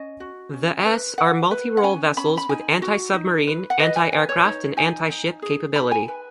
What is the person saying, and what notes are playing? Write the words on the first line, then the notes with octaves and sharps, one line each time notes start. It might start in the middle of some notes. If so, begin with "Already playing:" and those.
The s are multi-role vessels with anti-submarine, anti-aircraft and anti-ship capability.
Already playing: C#4 D#5
F#4
C#4
B4
B4 F#5
B4
F#5
C#4 G#5
C#4 B5
B5
D#4 G#5
F#4
D#4
B4
F#5
B4 D#5
G#5
B4 G#5
C#5
D#4 C#5
D#4 G#5
D#4
G#4
D#4 B5
G#5
B4